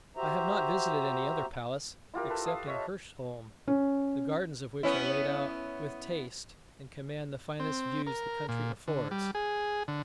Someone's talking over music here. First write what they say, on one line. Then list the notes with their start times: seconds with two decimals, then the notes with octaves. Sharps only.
I have not visited any other palace, excepting Hirsholm, the gardens of which are laid out with taste, and command the finest views the country affords.
0.17 F#4 G4 C5 E5 A#5
2.14 E4 F4 G4 A#4
2.30 A4 B4
2.45 F5 A5 D#6
2.67 C#5 D#5 E5
3.68 C#4
4.83 B3 C#4 E4
7.60 C4
8.07 A#4
8.49 A#2
8.87 D3
9.11 G3
9.35 G#4
9.88 D3